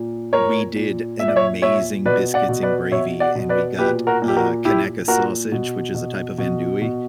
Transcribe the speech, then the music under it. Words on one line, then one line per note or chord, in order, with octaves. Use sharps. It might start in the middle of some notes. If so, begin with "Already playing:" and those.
we did an amazing biscuits and gravy, and we got, uh, Conecuh sausage, which is a type of Andouille.
Already playing: A#2
A#2 A#4 C#5
A#2
A#2 E5
D5
C#5 E5
A#2 C#5 E5
B2 B4 D5
D5 F#5
B2
B4 D5
B2 C#5 E5
D5 F#5
B2
B4 D5
A#2 G4 B4
F#4 A#4
A#2
G4
F#4 A#4
A#2 E4 G4
A#2 F#4 A#4
B2
B2
B2
B2